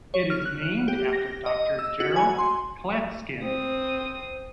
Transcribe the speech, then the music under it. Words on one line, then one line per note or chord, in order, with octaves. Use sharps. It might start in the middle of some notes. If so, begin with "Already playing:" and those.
It is named after Doctor Gerald Klatskin.
C#5
F6
F#6
G4
A#6
D#5
E6
F#4
G#5
C6
C4 D#6